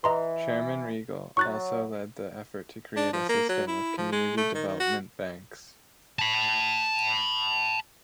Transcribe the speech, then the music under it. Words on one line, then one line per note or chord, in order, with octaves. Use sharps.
Chairman Riegle also led the effort to create a system of community development banks.
E3 D#5 A#5 C6
F#3 C#6 F#6 A6
D4
F3
A#3
F#3
E4
F3
G#3
A3
D#3
D#3
F#4
A5 B5